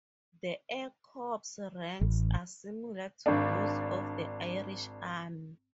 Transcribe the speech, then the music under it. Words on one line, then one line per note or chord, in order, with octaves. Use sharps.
The Air Corps' ranks are similar to those of the Irish Army.
A1
G#1 D4